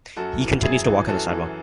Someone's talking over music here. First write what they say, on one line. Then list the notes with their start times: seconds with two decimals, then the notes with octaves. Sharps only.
He continues to walk on the sidewalk.
0.17 F#2 F#4 A4
0.40 E3
0.62 F#2 E4 G#4
0.86 E3
1.08 F#2 F#4 A4
1.31 E3